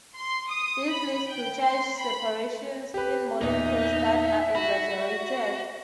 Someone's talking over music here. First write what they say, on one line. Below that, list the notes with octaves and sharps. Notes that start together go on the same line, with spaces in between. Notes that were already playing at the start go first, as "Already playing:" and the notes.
This leads to charge separations in molecules that are exaggerated.
C6
D#6
B5
G5
C6
B5
G4 B4
E2 A#2 D#4 E5
F#4 B5